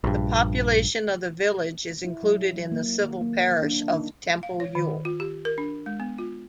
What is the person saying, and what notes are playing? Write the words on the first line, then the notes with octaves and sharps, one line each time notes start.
The population of the village is included in the civil parish of Temple Ewell.
A#1 G2
E4
F#3
A#3
D#3
A#3
D4
D#4
F5
C#5
D#3
F4
G4
A#4
D4
G#3
B3
F4